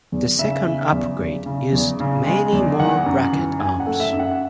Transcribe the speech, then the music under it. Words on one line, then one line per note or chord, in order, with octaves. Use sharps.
The second upgrade used many more bracket arms.
E2
C#3 E5
C#3
E2
E2
C#3
E2
C#3
G#3
E2
E3 F#5
F#2
E3
F#2 G#5
F#5
A3
E5
F#2
F#5